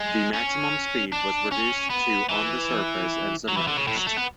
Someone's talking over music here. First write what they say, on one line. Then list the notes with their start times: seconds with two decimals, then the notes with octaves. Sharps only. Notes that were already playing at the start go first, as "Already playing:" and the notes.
The maximum speed was reduced to on the surface and submerged.
Already playing: G#3
0.33 C#4
1.12 D4
1.52 C#4
1.90 B3
2.29 E3
3.48 F#3
3.57 E3
3.67 D3
3.77 C#3
3.87 A2
3.96 F#3
4.07 A3
4.17 B3